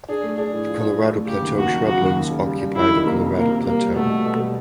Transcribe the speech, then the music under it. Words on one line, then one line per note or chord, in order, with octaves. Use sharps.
The Colorado Plateau shrublands occupy the Colorado Plateau.
D4 G#4
A3
D4 G#4
A2
F3
F3
A3
A3
C#3 G4
D#2
D#2 F#4
F#3
C#3 F#4
D#2
D#2
C#3
G3
G3
F2 E4
D#3
C3 A#3
F2
F2 A#3
C3
G3 A#3
G3
B2 A3
B2
B2
G3